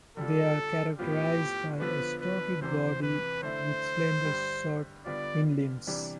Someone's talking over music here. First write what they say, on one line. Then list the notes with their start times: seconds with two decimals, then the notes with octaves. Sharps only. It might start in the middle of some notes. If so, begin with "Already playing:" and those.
They are characterized by a stocky body with slender, short hindlimbs.
0.17 D3 G3 D4 F4 A4
0.99 A2 F3 B3 F4 G4
1.80 D3 F3 B3 D4 B4
2.21 B4
2.61 E2 C3 E3 C5
3.02 B4
3.43 D3 A3 E4 C5
4.24 G2 D3 G3
5.05 D3 G3 B3 D4 F4 D5
5.87 C3 E3 G3 D4